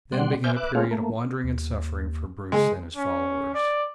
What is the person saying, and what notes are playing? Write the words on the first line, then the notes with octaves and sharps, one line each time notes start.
Then began a period of wandering and suffering for Bruce and his followers.
B2 G3 D5 F#5 C6
C5 E5 G#5 D6 F6 G6
B4 E5 D6 F#6
A3 C4 F4 G#4 C#5 F5
A3 A#3
D#2
C#3 G#3 G#4
C#4
D5